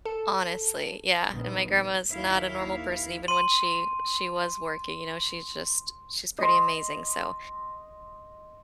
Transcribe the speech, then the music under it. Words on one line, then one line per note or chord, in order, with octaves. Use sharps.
Honestly, yeah, and my grandma is not a normal person even when she she was working, you know, she's just she's pretty amazing, so
A4
A#1 D#3 B3
D#2 E4 F5
C6 D#7
D#5 C6